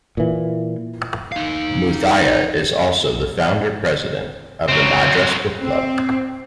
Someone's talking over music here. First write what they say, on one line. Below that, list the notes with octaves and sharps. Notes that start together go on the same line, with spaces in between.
Muthiah is also the founder-President of the Madras Book Club.
A#2 E3
D#4 F5
F#3 C4
C4